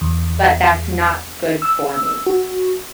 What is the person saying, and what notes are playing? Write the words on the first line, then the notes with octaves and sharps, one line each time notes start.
but that's not good for me.
E2
E6
F#4